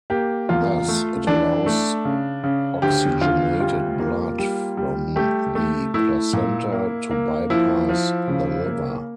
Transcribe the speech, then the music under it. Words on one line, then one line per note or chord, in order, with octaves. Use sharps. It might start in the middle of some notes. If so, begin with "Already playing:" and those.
Thus, it allows oxygenated blood from the placenta to bypass the liver.
A#3 G4
E2 F4
A3
E3 D4
A3
C#3
C#3
D2 G4
D2 F4
G3 F4
A#3
G3
G3
A3 G4
A3
A3 E4
A#2
A#3
A#3
F3 E4
F3
C#3
A#3